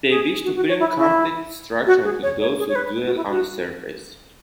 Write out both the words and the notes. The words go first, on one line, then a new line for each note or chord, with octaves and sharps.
They wish to bring complete destruction to those who dwell on the surface.
G#4
F#4
F#4
C#5
E4
E4
F#4
G#4
C#5
C#5
G#4
C#5
B4
F#4
E4
F#4